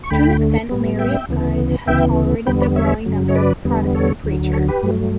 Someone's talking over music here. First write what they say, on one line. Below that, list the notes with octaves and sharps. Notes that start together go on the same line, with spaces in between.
To an extent, Mary of Guise had tolerated the growing number of Protestant preachers.
C#6
D2 D3 A3 G5 B5
A2 G3 B3
E5 G5
D2 C#3 E3 B3
D2 C#3 E3 B3 E5 G5
E2 D3 G3 B3 G5 B5
B4 D5
C#5 E5
F#2 C#3 F#3
C#5
B4 D5
E2 D3 G3 B3
A4 C#5
D2 D3 F#3
A4 C#5
G4 B4
G2 F#3 A3